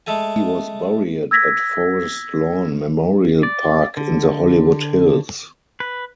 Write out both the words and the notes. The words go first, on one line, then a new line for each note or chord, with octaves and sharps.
He was buried at Forest Lawn Memorial Park in the Hollywood Hills.
G#3 A3 A4 G#5
E6 G#6 A#6 B6
D5
D3
B4